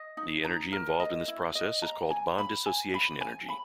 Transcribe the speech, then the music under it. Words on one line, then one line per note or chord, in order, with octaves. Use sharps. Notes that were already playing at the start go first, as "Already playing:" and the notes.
The energy involved in this process is called bond dissociation energy.
Already playing: D#5
D#4
A#5
A#4
D#5
E4
D#5
A#5
G#5
B5
G#5
B5
G#5
B5